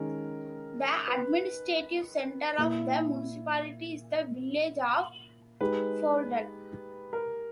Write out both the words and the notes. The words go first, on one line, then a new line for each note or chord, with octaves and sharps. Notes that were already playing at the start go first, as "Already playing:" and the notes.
The administrative centre of the municipality is the village of Folldal.
Already playing: D#3 G#3 C#4 A#4
B4
A#2 A#3 E4
G#3 D#4 G4 B4
A#4